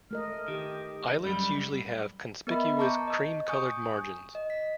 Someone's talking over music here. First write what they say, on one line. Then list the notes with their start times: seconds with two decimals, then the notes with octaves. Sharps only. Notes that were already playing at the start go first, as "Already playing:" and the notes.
Eyelids usually have conspicuous cream-coloured margins.
0.11 A3 A#4 D#5 F6
0.48 D#3 G4
1.25 F#2 G3 B5
2.47 B3 A#4 D#5 E5 B5
2.79 A5 A#5 C#6 D6 G6
3.08 D#5
3.47 G#5 C#6 D#6 G6
4.35 D#5
4.50 B6